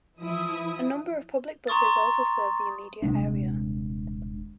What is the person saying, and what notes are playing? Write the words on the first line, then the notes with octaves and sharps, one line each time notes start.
A number of public buses also serve the immediate area.
E3 F3 E4 E5 D#6
A#5 C6 C#6 D#6 A6
D#1 C3 G#3 D4